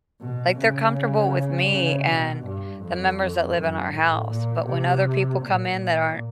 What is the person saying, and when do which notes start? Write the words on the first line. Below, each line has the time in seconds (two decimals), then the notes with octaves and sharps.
Like, they're comfortable with me and the members that live in our house, but when other people come in that aren't
0.21 B2
0.59 C#3
1.70 C#3
2.07 B2
2.43 G2
2.81 F2
3.55 F#2
3.92 A2
4.29 A#2
4.66 C3
5.39 A#2
5.77 A#2